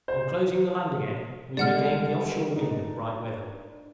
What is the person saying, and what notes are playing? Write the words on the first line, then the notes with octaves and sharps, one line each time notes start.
On closing the land again, we regained the off-shore wind, and bright weather.
C5
D3 G3 G#3 D5 F#5 F6
D4 D#4